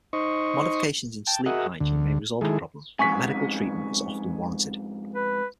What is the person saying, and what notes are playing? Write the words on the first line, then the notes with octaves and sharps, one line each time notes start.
Modifications in sleep hygiene may resolve the problem, but medical treatment is often warranted.
D#4 C5 D#5 C#6
G5 A5
F#4 G#4 A#4 D#5 E5 F#5
D2 D3
D#3 G#3 E4 G#4 A4
F2 G#2 G#5 C#6 B6
B4